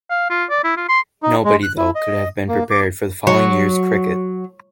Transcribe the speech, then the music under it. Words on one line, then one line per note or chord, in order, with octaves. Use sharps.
Nobody, though, could have been prepared for the following year's cricket.
F5
F4
D5
E4
F4
C6
D#4
G#3
F#6
E4
D#5
A#3
D6
F#3